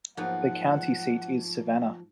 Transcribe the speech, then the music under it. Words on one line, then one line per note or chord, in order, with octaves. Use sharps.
The county seat is Savannah.
G#2 F3 F#3 A#3 B3 F#5